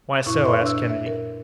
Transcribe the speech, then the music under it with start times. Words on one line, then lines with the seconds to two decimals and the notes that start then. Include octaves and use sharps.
"Why so?" asked Kennedy.
0.26 F#2 A#2 E4 C#6
0.45 A4 B4 C#5 E5 C6 C#6
0.62 D4 E6
0.90 E5
1.06 A#4